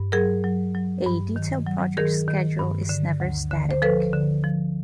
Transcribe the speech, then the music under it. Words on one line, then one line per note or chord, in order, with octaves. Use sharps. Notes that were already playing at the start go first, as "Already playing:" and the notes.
A Detailed project schedule is never static.
Already playing: G2
F#3 G#4 A#4
F#3
F#3
G2
D#3
F#3
D#3 G#4 A#4
D#3
G2
D3
D2
D3
C5
F3 A4 B4
D3
F3